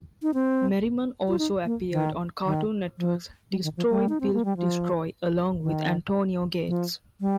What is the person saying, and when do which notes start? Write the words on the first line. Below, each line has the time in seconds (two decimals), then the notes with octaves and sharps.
Merriman also appeared on Cartoon Network's Destroy Build Destroy along with Antonio Gates.
0.23 D#4
0.34 C4
1.28 F4
1.39 D#4
1.65 A#3
1.92 D#3
2.45 D#3
2.98 F3
3.51 G3
3.63 D#3
3.77 F3
3.90 G3
4.09 D#4
4.20 C4
4.33 A#3
4.45 G3
4.57 F3
5.62 D#3
6.68 F3
7.21 G3